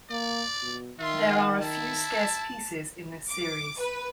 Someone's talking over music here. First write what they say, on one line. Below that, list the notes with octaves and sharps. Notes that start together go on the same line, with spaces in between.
There are a few scarce pieces in this series.
A#3 D5
B2
D#3 F4 E5 C6
F#5
E4 A5
D6
B4